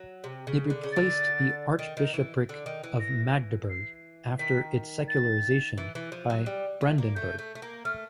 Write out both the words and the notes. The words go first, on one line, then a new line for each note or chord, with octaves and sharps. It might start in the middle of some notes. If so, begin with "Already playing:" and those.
It replaced the Archbishopric of Magdeburg after its secularization by Brandenburg.
Already playing: F#3
C3
C#3
D3
C#3
D3 A6
D#3
D#3
E3
D3
D#3
E3
A#6
C7
D#3 B6
A6
E3
E3
F3
F#3
G3
A3
A#3
A3 G6
A3
A3
A#3
A3 F6